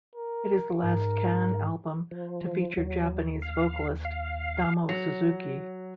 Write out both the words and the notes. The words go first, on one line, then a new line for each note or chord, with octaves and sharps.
It is the last Can album to feature Japanese vocalist Damo Suzuki.
A#4
G#2 A#4
F3
E3
D#2 F#3
F5
F5
F#3